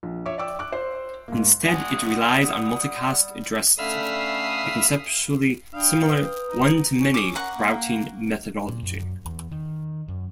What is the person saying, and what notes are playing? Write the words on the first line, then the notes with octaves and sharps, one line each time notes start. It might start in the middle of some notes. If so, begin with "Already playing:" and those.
Instead it relies on multicast addressing - a conceptually similar "one-to-many" routing methodology.
A#1
C#5 E5 D6
D5 G5 D6 E6
D6 F#6
C5
G#2 A#3
G3 F#5 G#5 D#6
D3 A3 C#4 E5 F5 B5 D#6 C7
D4 F5 G5 B5 D#6 F6
B4 D#6
D#4
C#4
D6 D#6
A#4 F#5 C#6
A#3
A#2
F#2
E2
D#3
F#2